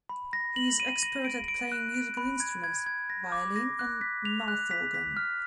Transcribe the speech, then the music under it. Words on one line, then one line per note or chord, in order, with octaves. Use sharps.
He is expert at playing musical instruments: violin and mouthorgan.
B5
A#6
F#7
D#7
A#6
D7
D7
F#6
D7
B5
G#6
G#6
G#6
A#6
D6
A#6
F#6
B6
F7
F#6
B6
B6
F6